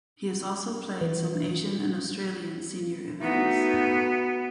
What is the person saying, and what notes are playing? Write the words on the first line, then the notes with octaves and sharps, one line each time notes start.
He has also played some Asian and Australian senior events.
E3
A3 B3 D#4 F#4